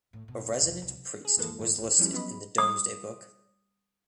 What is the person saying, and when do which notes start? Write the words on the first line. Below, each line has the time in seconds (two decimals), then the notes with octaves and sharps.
A resident priest was listed in the Domesday book.
0.13 A2
0.28 B2
0.46 C2
0.61 E1
0.82 C2
1.25 G#4
1.37 A1 F2 E3 G#3 A#3 A4
1.59 G#2 D#3
1.78 C#2
1.99 F3 G3 C#4 E4
2.13 F#3 B3 D#5 B5
2.58 D#6